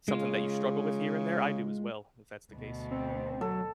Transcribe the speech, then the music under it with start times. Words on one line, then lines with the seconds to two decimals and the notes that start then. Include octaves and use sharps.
something that you struggle with here and there, I do as well, if that's the case.
0.08 C#3 G#3 F4
2.53 D2 B2
2.91 C4
3.41 F#3 A4